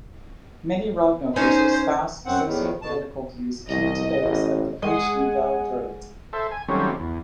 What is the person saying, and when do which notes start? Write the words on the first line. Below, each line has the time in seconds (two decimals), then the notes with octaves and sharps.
Many Rodnovers espouse socio-political views akin to those of the French "Nouvelle Droite".
1.36 C#4 D#4 C5
2.26 F#2 C4 F#5
2.46 E2 A2 D#3
2.82 B2 A5
3.68 C2 D#5
4.21 A1
4.82 G#3 G#4 D#5 F#5 G#5
6.33 A4 C5 E5
6.51 G#5
6.68 D#3 F#3 G3 A3 C4 C#4
6.99 E2